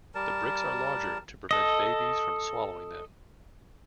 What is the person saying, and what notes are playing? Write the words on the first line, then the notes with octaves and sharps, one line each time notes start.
The bricks are larger to prevent babies from swallowing them.
G3 A#4 A5
A4 D#5